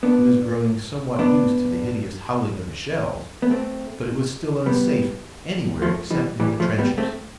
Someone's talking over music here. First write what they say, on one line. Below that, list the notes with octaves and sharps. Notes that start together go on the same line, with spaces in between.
He was growing somewhat used to the hideous howling of the shells, but it was still unsafe anywhere except in the trenches.
B3 D4
B3 D4
B3
A3 C4
G3 B3
F3 A3
E3 G3
E3 G3
F3 A3
G3 B3
A3 C4